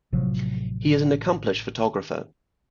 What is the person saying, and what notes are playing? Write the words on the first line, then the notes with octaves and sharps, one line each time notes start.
He is an accomplished photographer.
A1 C3 F3 F#3